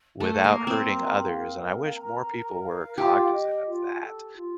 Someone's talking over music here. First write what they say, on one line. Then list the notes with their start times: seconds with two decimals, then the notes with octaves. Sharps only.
without hurting others, and I wish more people were cognizant of that.
0.20 A3 A#4
0.44 A#3
0.56 A#5
0.67 C4
0.90 A#4
1.25 F5
1.60 A#4
1.94 A#5
2.29 A#4
2.63 F5
2.98 F4 G4
3.31 D#5
3.66 F4
4.01 A4
4.36 F4